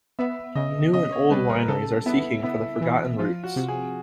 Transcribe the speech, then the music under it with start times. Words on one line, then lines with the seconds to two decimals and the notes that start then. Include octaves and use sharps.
New and old wineries are seeking for the forgotten roots.
0.19 B3 E5
0.55 C#3 D#5
0.94 C#3 D#5
1.12 C#5
1.31 G3 B4
1.50 A#4
1.68 C#3 A4
2.06 B3 E4
2.43 B3 E4
2.81 E3
3.19 F3 F4
3.44 F#4
3.56 C3
3.68 G#4